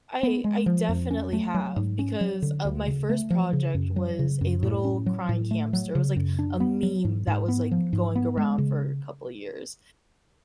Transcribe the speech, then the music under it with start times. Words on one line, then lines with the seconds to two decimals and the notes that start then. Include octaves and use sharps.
I I definitely have because of my first project was a little crying hamster, it was like a meme that was, like, going around for a couple of years
0.23 B3
0.44 G#3
0.66 F3
0.89 F2
1.11 C#4
1.33 A3
1.54 F#3
1.76 G#2
1.99 C#4
2.21 F#3
2.42 D3
2.65 D2
2.87 C#3
3.09 A3
3.30 F3
3.53 C#3
3.75 F#2
3.96 F#3
4.19 C#3
4.41 F#2
4.63 A2
4.84 C#4
5.06 F#3
5.29 A2
5.51 A3
5.73 F#3
5.95 C#3
6.16 F#2
6.39 D4
6.60 B3
6.83 F#3
7.05 G#2
7.27 G#2
7.48 B3
7.71 F3
7.93 G#2
8.15 B3
8.37 G#3
8.58 C#3